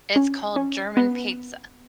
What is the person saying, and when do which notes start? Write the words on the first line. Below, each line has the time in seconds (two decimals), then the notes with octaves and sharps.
It's called German pizza.
0.16 C#4
0.56 C#4
0.97 B3